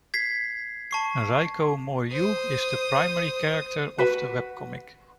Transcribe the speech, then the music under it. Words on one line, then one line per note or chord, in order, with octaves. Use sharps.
Reiko Mouryou is the primary character of the webcomic.
G#6 B6 C7
A5 C#6 C7
C5 D#6
F#4 B4